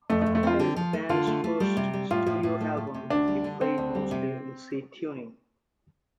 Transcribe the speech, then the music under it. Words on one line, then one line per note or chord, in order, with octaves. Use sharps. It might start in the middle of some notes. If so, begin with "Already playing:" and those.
It is the band's first studio album to be played mostly in C tuning.
F2 A3
A3
F2
A3
C4 F4
D3
F3
A3
D3 F4
A3
A3
G3
C3
G3
A2 F4
A2
A2
A3
A3
C3
D2 D4
G3
D3
D3 C4
D2
G3
C3